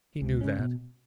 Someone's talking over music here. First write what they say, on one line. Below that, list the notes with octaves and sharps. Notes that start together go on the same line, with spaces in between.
He knew that.
C#2
C#3 G#3 C#4
B2